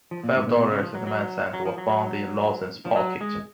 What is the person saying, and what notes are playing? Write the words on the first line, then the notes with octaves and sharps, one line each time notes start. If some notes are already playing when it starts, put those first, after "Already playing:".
Five dollars and one cent were found in Lawson's pocket.
F3
A#2
G#2
A#2
B2
C#3
F3
F#3
F#3
F#3
F3
F#3
F#3
F3
F#3
G#3